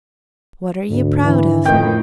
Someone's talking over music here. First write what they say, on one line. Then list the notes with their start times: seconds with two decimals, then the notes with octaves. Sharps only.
What are you proud of?
0.90 D2 G#2 D3 D4
1.25 E3
1.65 F2 A2 D#3 C4 C#4 G5